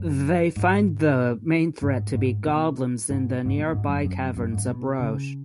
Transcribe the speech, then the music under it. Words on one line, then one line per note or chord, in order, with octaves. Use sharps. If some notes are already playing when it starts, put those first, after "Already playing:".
They find the main threat to be goblins in the nearby caverns of Broch.
Already playing: F#2
G#2
G#2
G#2
B2
G#2
G#2
B2
G#2
F#2
F#2
F#2
G#2
B2
C#3